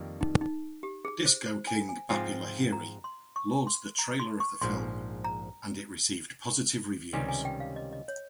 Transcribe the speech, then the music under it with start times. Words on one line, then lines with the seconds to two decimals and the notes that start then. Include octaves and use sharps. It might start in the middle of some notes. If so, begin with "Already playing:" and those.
Disco king Bappi Lahiri lauds the Trailer of film and it received positive reviews.
Already playing: F2 D#3 G3 A#3
0.21 D#4
0.41 D#4
0.83 G4
1.05 G#4
1.26 C5
1.46 C5
1.67 G#5
1.89 G#5
2.09 G#2 F3 C4 F4 G#5
2.72 A#5
3.04 C6
3.36 C#6
3.67 C6
3.99 A#5
4.20 C6
4.40 C#6
4.61 A#1 G#2 F3 C6
5.24 A#5
7.13 C#2 C3 D#3 G3 C#4 G#5
7.29 G#5
7.45 G5
7.60 F5
7.76 D#5
7.93 D#5
8.08 C#5